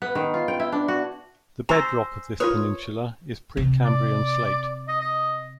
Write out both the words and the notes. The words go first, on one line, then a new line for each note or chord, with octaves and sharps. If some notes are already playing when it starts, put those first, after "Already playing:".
The bedrock of this peninsula is Precambrian slate.
B3
D#3
F4
G5
E4
D4
F#4
C5 G#5 A#5 C#6 E6 A6 A#6
F4 A#4 B4 C#5 D#6
C3
D5
D#5
D#5